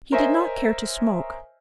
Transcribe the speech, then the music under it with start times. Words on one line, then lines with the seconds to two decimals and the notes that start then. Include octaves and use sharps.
He did not care to smoke.
0.12 A#4 C5 C#5 D#5 E5 G#5